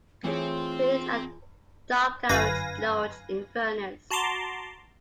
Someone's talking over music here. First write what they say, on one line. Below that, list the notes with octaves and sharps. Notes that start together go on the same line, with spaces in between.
He lived at Dochgarroch Lodge, Inverness.
E3 A3 C4 E4 F4 G#4 C#5
G1 F#2 B4 F5 G#5 A#6
F#4 A5 A#5 C6 D6